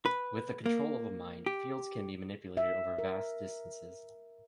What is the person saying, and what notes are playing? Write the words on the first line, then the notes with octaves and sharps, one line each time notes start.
With the control of a Mind, fields can be manipulated over vast distances.
B4
A#3
G4
E5
A#4